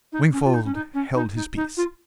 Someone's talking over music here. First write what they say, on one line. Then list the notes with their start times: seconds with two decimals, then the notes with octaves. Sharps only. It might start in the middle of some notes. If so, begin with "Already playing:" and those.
Wingfold held his peace.
0.13 D#4
0.33 C#4
0.45 F4
0.54 D#4
0.65 C#4
0.74 D#4
0.94 C#4
1.15 D#4
1.36 D#4
1.56 D#4
1.77 F4